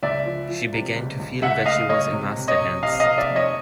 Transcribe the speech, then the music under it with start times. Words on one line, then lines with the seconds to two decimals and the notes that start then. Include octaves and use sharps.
She began to feel that she was in master-hands.
0.02 C#2 D5 E5
0.25 F3
0.48 F3
0.73 C3
0.96 C#2
1.19 C#2
1.42 C#2 E5 F#5
1.66 A3 D#5 F5
1.89 C#2 C#5 D#5
2.12 C3
2.36 C3
2.48 C#5 D#5
2.60 C3
2.83 C3 D#5 F5
3.00 D#5 F5
3.06 C3
3.18 D5 E5
3.30 F1
3.36 C#5 D#5